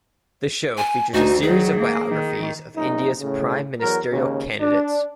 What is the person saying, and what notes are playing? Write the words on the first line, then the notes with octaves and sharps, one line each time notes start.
The show features a series of biographies of India's prime ministerial candidates.
G#5
D2 D#4 F#4
D#3 F#3 G#4
A#3
D#3
A#1 F#2 D#4
A2 C#3
E2 F#3 A#4
D#2 G#2 C#3
D4